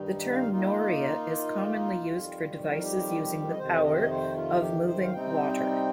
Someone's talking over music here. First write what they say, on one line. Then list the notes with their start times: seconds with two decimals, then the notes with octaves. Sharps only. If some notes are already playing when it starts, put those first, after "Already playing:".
The term noria is commonly used for devices using the power of moving water.
Already playing: G2 D#3 G3 D#4
0.32 F5
0.51 D#3 A#3 D#4 F4
2.05 F2 D#3 G3
2.71 A#4
2.82 G4
3.51 D#5
3.59 F2 C3 D#3 C5
3.85 D#5
3.93 C5
4.00 D#5
4.10 C5
4.36 F4
4.62 G4
4.87 C5
5.03 F5
5.13 C3 G3 C4 D#4 G5